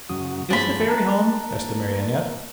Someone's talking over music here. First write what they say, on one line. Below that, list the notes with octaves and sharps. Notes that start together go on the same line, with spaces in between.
"Is the Fairy home?" asked the Marionette.
F#2 C#3 F#3 D#6
G2 F3 F#3 D4 G#4 C5 B5
A#3 A5 A#5 F#6